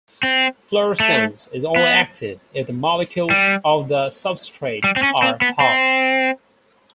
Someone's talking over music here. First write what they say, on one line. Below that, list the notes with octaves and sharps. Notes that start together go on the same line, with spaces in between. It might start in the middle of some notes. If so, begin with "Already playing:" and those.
Fluorescence is only active if the molecules of the substrate are halved.
C4
A3
B3
G3
G3
C4
C#4
C4
B3
C4